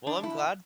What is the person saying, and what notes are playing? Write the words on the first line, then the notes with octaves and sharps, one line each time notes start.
Well, I'm glad
E2 D4
E4
B2